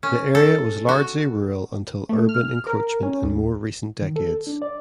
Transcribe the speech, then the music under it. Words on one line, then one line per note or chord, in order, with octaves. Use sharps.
The area was largely rural until urban encroachment in more recent decades.
C#4
A4
F#4
A3
F6
A#4
C#4
D2
D#3
A4
D4
D5